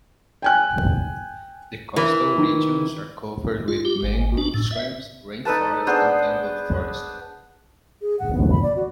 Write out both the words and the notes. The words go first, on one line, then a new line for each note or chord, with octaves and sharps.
The coastal regions are covered with Mangrove swamps, rain forest and tangled forest.
G5 G#5 F#6
E3 A#4
D#3
F4
G4
G#1
D4
A2
E5
D#4 A4 B4 A5
B3 D4 G#4 C5
G#4
F#5
B3
B5
D5
F#4